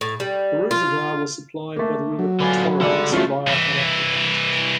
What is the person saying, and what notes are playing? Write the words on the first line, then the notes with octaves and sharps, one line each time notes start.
The reservoir was supplied by the River Torrens via an aqueduct.
A2
G3
F4
A3 A#3
F#3
D3 F4 B4 G#5
G#1 G3 D4 A4 F#5
F3 F#3 A3 C#4 F4
C2 E3